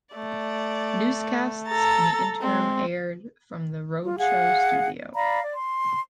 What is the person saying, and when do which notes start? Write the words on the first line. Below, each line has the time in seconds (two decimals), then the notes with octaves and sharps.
Newscasts in the interim aired from "The Rhode Show" studio.
0.15 A3 D5
1.68 A4 A#5 A6
2.41 G#3 C4
4.03 F4
4.18 G#4 F5 F#5
5.14 D5 F5 A#5 B5
5.43 D5
5.54 C6